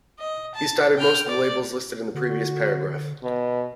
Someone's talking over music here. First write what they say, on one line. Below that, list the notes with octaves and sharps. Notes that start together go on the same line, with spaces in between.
He started most of the labels listed in the previous paragraph.
D#5
A5
G5 F6
D5
D3 F#4
B2